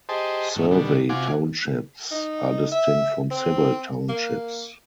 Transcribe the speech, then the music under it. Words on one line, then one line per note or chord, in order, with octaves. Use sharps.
Survey townships are distinct from civil townships.
G4 G#4 C5 D#5 A5
G#2 D#3 A3
B2 D3 G3
C3 F4 F#4 G#5 D6
D#4
E5
C4
A#3